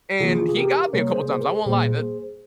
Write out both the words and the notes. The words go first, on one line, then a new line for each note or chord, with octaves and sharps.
and he got me a couple of times, I won't lie. The
C3 E3 A#3 F4 G#4
G#4
G4 A#4
C3 G3 A#3 A#4 C#5
G#4 C5
G#4 C5
A#4
G#4 C5
A#2 G3 A#3 G#4 C5